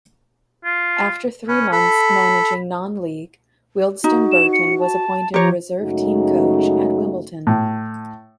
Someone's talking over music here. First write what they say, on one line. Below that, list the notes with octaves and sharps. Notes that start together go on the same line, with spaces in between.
After three months managing non-league Wealdstone Burton was appointed reserve team coach at Wimbledon.
F4
C#4 B4
A4 B5
D#4 F#4
E7
C#7
A5
F3 G4 C#5 A#5
F#2 C#3 G#3 A3 D#4 F#4
A2